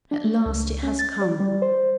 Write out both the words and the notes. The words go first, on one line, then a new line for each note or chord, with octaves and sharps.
"At last, it has come!"
D4
A3
C#2
C#4
A6
D5
G3
C5